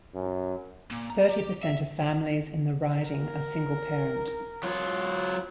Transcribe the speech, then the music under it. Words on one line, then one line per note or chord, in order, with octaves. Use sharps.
Thirty per cent of families in the riding are single-parent.
F#2
A#2
A#5
G4
E5
A#4
F#3 F4